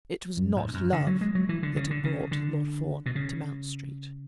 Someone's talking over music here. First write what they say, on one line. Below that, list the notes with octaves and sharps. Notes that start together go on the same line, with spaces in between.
It was not love that had brought Lord Fawn to Mount Street.
F#2
G#2
G#2
F#2
D3
F#3
G#3
F#3
E3
D3
C#3
D3
C#3
D3
B2
C#3